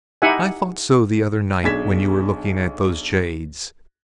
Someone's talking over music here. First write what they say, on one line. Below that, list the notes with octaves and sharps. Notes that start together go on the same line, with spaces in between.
I thought so the other night when you were looking at those jades.
D#4 E4 G4 E5 F#5 G#5
B1 D4 G#4 G#6 B6 E7